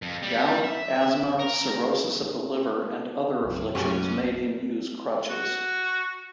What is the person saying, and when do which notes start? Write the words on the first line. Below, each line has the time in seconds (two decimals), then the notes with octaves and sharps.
Gout, asthma, cirrhosis of the liver and other afflictions made him use crutches.
0.02 F2
0.23 G3
0.64 E5
1.39 A#4
3.39 F#1 B1
3.75 F#2 F#3 A3 C#4 G4 G#4
5.30 F#4